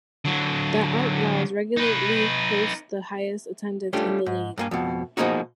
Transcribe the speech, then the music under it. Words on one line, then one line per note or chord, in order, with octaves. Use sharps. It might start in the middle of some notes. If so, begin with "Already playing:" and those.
The Outlaws regularly post the highest attendance in the league.
D3 F#3
D#4 B4
G3 A3 C#4 D4 F4 G4
G#2
G2 A#3 G#5
F2 B2
B2 F3 G#3 A#3 D#4 F#4